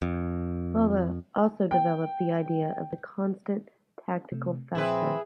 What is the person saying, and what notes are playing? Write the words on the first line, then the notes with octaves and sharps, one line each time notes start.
Fuller also developed the idea of the "Constant Tactical Factor".
F2
G5
C3 A3
A#2 F3 C4 E4 G#4 B4